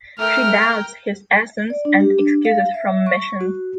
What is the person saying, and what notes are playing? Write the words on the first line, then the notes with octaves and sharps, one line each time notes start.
She doubts his absence and excuses from mission.
A3 A#4 G5 F6
D5
D4
G4
D4
F5
E5
C#6
F#4